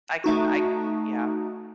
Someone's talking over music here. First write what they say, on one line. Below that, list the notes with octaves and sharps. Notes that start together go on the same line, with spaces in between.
I can I can Yeah.
A3 D#4 F#4